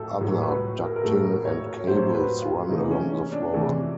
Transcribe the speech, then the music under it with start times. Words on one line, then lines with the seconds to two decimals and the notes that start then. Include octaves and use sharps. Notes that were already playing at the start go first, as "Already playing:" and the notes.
Other ducting and cables run along the floor.
Already playing: A2 F#3 A4
0.21 A2 F#3 A3
0.42 B4
0.83 A#4
0.96 A#4
1.03 A2 F#3 A3 A4
1.25 A#4
1.45 C#5
1.67 C#5
1.87 A2 F#3 A3 C5
2.15 B4
2.42 F4
2.70 C3 E3 A3 D#4
2.91 C#4
3.12 C#4
3.32 D4
3.53 C3 E3 A3